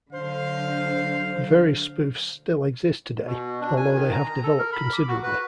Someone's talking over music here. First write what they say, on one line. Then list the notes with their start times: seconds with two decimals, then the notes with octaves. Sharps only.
Various spoofs still exist today, although they have developed considerably.
0.12 D3 F#3 C5 F5
3.26 B2
3.61 D4
3.77 G#5
3.96 D#3
4.13 A#5
4.43 A4
4.59 A#4
4.73 B5
4.93 D6
5.08 F#4
5.23 B4